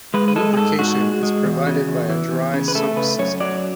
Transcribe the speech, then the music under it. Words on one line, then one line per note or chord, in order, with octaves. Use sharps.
Lubrication is provided by a dry sump system.
G#3 B4
B4
G#3 A4
G#4
G#2 A4
G#2 F#4
G#3
G#3
E2
C#3
E2
E3
E2
C#3
B4
A3 A4
C#3 B4
F#2 C#5
F#3 D5